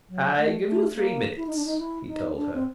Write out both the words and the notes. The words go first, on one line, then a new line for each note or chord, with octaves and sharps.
"I give you three minutes," he told her.
F#3
A3
A3
A#3
E4
D#4
D4
D#4
E4
D#4
D4
C4